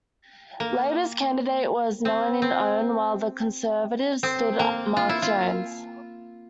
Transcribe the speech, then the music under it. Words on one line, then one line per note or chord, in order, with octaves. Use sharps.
Labour's candidate was Melanie Onn, while the Conservatives stood Marc Jones.
A#3
C4
C4
C4
A#3
F4
E4
F4